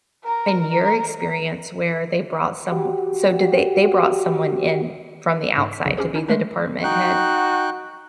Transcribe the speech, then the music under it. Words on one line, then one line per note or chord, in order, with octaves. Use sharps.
in your experience where they brought some so did they they brought someone in from the outside to be the department head?
A#4 A#5
F#4 G4
G#2
B6
B1 E2 C#3
C#4 G4 G#4 C5
C#4 D#4 E4
G#3 A3 D4
D#4 F#4 G5 F#6